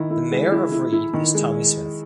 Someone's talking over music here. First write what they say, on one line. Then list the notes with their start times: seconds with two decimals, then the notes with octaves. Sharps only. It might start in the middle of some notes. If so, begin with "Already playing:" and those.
The Mayor of Reed is Tommie Smith.
Already playing: D#3 E4
0.10 E4
0.31 G#3
0.52 E4
0.72 E4
0.92 E4
1.13 D#3
1.34 G#3